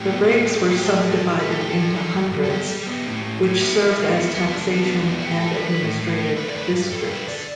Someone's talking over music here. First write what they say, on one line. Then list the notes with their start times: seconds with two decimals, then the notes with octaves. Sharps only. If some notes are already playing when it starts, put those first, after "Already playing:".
The rapes were sub-divided into hundreds, which served as taxation and administrative districts.
Already playing: A2 G4
0.11 B3
0.30 A2
0.48 G3
0.60 D4
0.67 A2 E4
0.77 G4
0.85 A3 A4
1.03 A2
1.22 E3
1.40 A2 B4
1.51 A4
1.59 A2 G4
1.70 A4
1.76 E3
1.96 D3
2.13 G2
2.32 G2
2.44 A4
2.50 B3 G4
2.69 G3
2.87 B3
3.06 A2
3.24 A2
3.42 A2
3.60 B3 E4
3.79 G3
3.98 A2
4.16 B3 E4
4.34 E2 B3
4.47 B3
4.52 E2 D4
4.71 B3 D4
4.90 E2
5.08 B3
5.17 E4
5.26 A2 G4
5.40 A3 A4
5.53 B4
5.63 A3
5.68 B4
5.81 A2
5.99 A2
6.18 A3
6.36 A3 B4
6.50 D5
6.54 G2 B4
6.73 G2
6.91 G2 A4
7.10 D3 B4
7.28 D3 D5